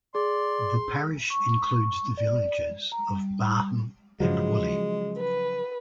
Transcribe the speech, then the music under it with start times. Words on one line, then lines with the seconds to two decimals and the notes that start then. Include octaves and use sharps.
The parish includes the villages of Barham and Woolley.
0.15 G#4 D5 C6
1.30 C#6
2.17 D5
2.92 A#5
3.08 G3
4.20 C#3 F3 F#3 G#3
5.18 B4